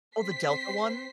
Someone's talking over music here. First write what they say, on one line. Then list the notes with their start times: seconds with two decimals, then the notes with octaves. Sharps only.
Oh, the Delta one?
0.17 C4 C5 B6 C7